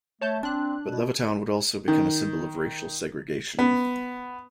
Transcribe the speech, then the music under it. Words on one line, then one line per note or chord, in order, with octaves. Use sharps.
But Levittown would also become a symbol of racial segregation.
A3 C#5 A5 G6
C4 D4 F#6
B2
D#3
B3